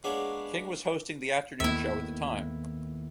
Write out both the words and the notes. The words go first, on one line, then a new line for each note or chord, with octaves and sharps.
King was hosting the afternoon show at the time.
G#3 A#3 B3 D4 C#5
D#2 A2 A#3 B3 E4 E5